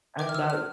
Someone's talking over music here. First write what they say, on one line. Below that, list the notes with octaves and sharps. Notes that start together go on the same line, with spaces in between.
And that
B4 E5 G5 D6
F6
E6
F6